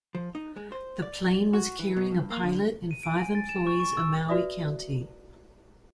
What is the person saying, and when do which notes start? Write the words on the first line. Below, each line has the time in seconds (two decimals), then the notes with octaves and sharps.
The plane was carrying a pilot and five employees of Maui County.
0.15 F3
0.35 D#4
0.56 G#3
0.72 C5
1.02 D5
1.53 F#4
1.79 E3
1.97 B2
2.11 G2
2.30 A#3
2.43 D3
2.91 D#7
3.03 D7
3.21 G#5
3.35 A6
3.49 E7
3.67 C#6
3.80 C#6
3.97 E6
4.29 F#4 B4 D5 E5 D#6